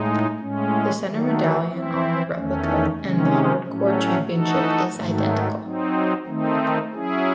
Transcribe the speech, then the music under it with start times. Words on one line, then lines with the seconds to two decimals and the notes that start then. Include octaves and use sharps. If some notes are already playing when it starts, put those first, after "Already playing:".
The center medallion on the replica and the Hardcore championship is identical.
Already playing: A2 G#3 D#4
0.39 A2 G#3 C#4
1.05 D#3 F#3 A3
1.70 E3 C4 E4
2.35 E2 D#3 A3 C#4
3.00 C3 D#3 G#3 C#4
3.66 A2 F#3 A3 C#4
4.30 E3 A3 D#4 F#4 A4
4.95 G#2 D#3 F#3 A3
5.62 F#3 C4 D#4
6.26 D#3 A3 C4 D#4
6.92 F#3 C#4 E4 G#4